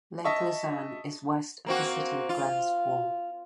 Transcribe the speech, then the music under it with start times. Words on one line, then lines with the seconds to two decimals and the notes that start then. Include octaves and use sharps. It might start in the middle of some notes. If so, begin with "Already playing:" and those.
Lake Luzerne is west of the city of Glens Falls.
0.24 D#5 E5 A5 C#6
1.66 A#3 C4 F#4
2.29 F4